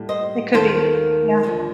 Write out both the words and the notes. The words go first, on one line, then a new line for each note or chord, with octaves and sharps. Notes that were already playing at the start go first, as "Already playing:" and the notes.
It could be, yeah.
Already playing: A2 G3 A#3
C5 D#5
D#2 D#3 A#3 A4 C5
D#2 D3 F3